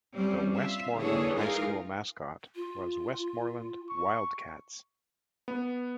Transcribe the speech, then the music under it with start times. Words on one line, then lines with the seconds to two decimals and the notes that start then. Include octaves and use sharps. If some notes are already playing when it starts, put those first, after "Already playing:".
The Westmoreland High School mascot was Westmoreland Wildcats.
0.15 G3 C4 C#4
0.52 F4 E5
0.96 D3 E3 A#3 G#4 A4 C#5
1.34 E3 G#3 D#4 F4 G#4 A#4
2.55 F4
3.90 C#6
5.48 B3